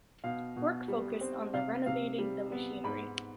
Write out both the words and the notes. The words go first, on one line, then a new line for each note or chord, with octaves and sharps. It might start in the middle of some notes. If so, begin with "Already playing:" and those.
Work focused on the renovating the machinery.
B2 F5
B2
G3
C4
C3 F5
C3 F5
G3
B3
G#2 B5